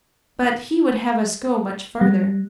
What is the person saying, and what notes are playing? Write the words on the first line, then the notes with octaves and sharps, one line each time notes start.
But he would have us go much further.
G3